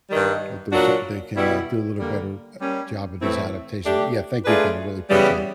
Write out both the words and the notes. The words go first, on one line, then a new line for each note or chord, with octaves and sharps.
if there's, uh they can, uh, do a little better, uh, job of these adaptation but yeah, thank you again, I really appreciate it.
G2 D#3 G3
A#2 F#3 A#3 D4 F#4
B2 G3 B3 E4
D3 G3 A#3
G3 A#3 C#4
A2 E3 A3 C4 E4
A3 D4 G4
A3 D4 F4 G#4 B4
C#3 E3 G3 B3